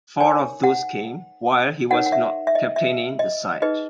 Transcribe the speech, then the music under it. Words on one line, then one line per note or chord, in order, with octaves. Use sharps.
Four of those came while he was not captaining the side.
D#4 A#4 C#5 G#5
F#5
D#4 A#4 C#5 F#5
F#5
E5
E5
D#5
E5
D#5
D#4 G#4 B4 D#5